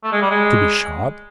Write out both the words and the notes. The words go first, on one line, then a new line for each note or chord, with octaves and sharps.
To be shot?
A3
G#3
G3
G#3